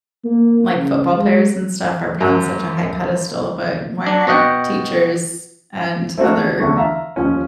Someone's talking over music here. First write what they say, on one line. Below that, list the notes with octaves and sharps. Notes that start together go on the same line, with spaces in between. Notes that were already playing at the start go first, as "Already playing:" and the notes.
like, football players and stuff are put on such a high pedestal, but why aren't teachers and other
A#3
C#3
G#3
F#2
D4
B2 F#4 D#5 F#5 G5
A3 C4 D4 F#4 A#4
E2 D3 A3 C#6
E5 F5 A#5
D#2 F3 C#4